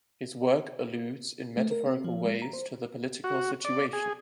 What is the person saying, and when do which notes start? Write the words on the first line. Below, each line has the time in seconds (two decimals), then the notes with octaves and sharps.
His work alludes in metaphorical ways to the political situation.
1.57 A3
1.71 A#4
1.86 C4
2.04 F3
2.25 G#3
2.42 A#5
2.53 C5
3.24 F#4
3.65 D5
3.93 G#4